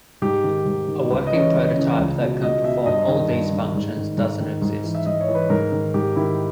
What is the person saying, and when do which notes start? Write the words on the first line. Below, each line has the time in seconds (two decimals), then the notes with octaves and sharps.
A working proto-type that can perform all these functions doesn't exist.
0.22 G#2 G4
0.44 D#3
0.66 G#2
0.87 D#3
1.10 C#2 B4
1.27 D#5
1.32 C#3 E3 C#5
1.54 C#2
1.76 C#3 E3
1.98 C#2
2.20 B2
2.42 C#2 D#5
2.64 B2 E5
2.86 G2 D#5
3.08 D#3
3.30 G2
3.52 D#3
3.74 G#2
3.96 D#3
4.18 G#2
4.40 D#3
4.62 G#2
4.84 E3
4.95 E5
5.06 G#2 D#5
5.21 C#5
5.28 E3
5.35 B4
5.50 G#2 A#4
5.72 D#3
5.94 G#2 G4
6.16 D#3 E4